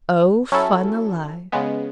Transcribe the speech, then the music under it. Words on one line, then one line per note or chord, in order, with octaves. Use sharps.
Oh, fun alive!
F#3 C#4 E4 A4
C#3 G#3 B3